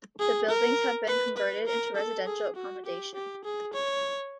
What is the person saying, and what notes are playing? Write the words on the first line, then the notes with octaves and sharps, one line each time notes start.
The buildings have been converted into residential accommodation.
G#4
A#4
B4
B4
A#4
A4
G#4
F#4
G4
G4
G#4
C#5